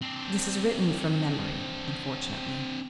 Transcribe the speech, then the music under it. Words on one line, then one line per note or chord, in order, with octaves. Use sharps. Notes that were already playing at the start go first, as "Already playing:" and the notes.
This is written from memory, unfortunately.
C4 D4